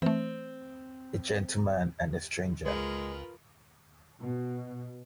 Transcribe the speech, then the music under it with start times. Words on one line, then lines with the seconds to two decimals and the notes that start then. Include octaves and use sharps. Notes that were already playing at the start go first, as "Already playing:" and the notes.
A gentleman and a stranger!
0.02 E3 A3 C4
2.65 C#2 G#3 F4 A#4 B4
4.19 B2